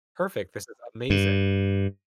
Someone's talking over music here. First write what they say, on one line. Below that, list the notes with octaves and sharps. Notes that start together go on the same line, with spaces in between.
perfect. This is amazing.
G2